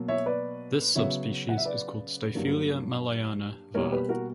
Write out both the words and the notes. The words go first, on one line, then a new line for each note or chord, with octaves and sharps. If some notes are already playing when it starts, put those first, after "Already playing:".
This subspecies is called "Styphelia malayana" var.
Already playing: B2 F#3 A#3
C#5 E5
B4 D5
C#3 F#3 B3 C#5 E5
F#5
E5
B4 D5
G2 F#3 A#3
B2 G3 A#3 A#4 C#5
G4 B4
F#4 A#4